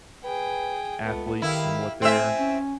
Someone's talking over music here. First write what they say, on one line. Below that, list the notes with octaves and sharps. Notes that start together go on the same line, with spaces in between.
athletes and what they're
G#4 B4 G5
C#2 A3 B3
D#3 E4 G4 F5
A3 C4 E5 G#5
C#4